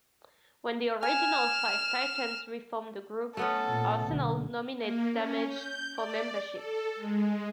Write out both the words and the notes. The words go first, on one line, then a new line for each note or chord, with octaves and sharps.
When the original five Titans reformed the group, Arsenal nominates Damage for membership.
G#5 F6 E7
A3 B3 C#4 A4
A#2
B1 D3
A#3
C#4
G6
D5
A4
G#3